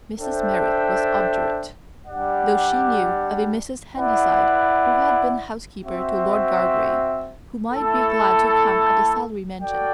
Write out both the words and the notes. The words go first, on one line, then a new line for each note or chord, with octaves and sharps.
Mrs. Merrit was obdurate, though she knew of a Mrs. Handyside who had been housekeeper to Lord Gargrave, who might be glad to come at the salary mentioned.
D4 A4 C5 E5 G5
G3 D4 G4 D5 F#5
E4 B4 D5 F#5
C4 F#4 C5 E5
A3 E4 A4
F#4 A4 D5 G5